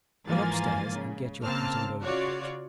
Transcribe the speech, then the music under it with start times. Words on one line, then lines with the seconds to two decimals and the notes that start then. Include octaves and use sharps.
"Run upstairs and get your hat and overcoat."
0.27 G#2 E3 F3 A#3 G#5 A6
0.98 C#3
1.43 C#3 A#3 C4 A5 F6
2.03 C#3 F4 F#4 C#5 D5